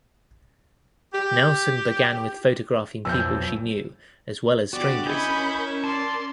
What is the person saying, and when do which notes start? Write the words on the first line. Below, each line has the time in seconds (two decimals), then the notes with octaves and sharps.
Nelson began with photographing people she knew as well as strangers.
1.14 G4
3.05 B1 F2 E6 G6
4.73 D3 B3 F#4 G4 D5
5.06 C#4 E4 A#4 D#5 G#5 B5 C#6 G6
5.84 D5 A5 C6